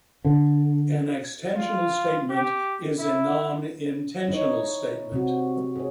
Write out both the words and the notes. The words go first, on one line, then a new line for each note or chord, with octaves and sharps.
An "extensional" statement is a non-intensional statement.
D3
F4
G4
E4
D#4 E4 C#5
C3 C4 F#4
G#4 C#5